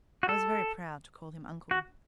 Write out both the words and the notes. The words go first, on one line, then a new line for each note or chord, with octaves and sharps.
I was very proud to call him uncle.
F#4
A4
F#4